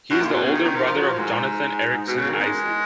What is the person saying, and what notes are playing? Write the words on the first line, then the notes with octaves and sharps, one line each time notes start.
He is the older brother of Jonathan Erickson Eisley.
F#2
A#2
B2
C#3
D#3
D#3
F3
F3
F#3
F3
G#2
B2
C#3
D#3
G#3